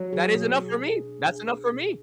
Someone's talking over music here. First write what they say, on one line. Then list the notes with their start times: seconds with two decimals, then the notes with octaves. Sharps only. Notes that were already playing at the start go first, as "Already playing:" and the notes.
That is enough for me That's enough for me.
Already playing: F#3
0.13 G#4
0.34 B2
0.58 G#4
0.81 G#4
1.04 D4
1.26 G#4
1.49 G#4
1.72 B2